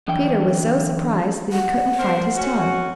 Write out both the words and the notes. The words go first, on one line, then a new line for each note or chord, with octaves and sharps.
Peter was so surprised that he couldn't find his tongue.
F#2 D3 E3 G5
F#5
D3 A#4 C5
C#4 F#4